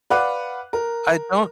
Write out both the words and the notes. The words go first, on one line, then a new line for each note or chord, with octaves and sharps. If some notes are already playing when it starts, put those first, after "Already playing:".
I don't
B4 D5 F5 F#5 D6 F#6
A#4